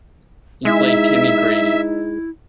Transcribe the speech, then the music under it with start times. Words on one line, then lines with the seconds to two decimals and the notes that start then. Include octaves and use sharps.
He played Timmy Grady.
0.65 G#3 D#4 E4 E5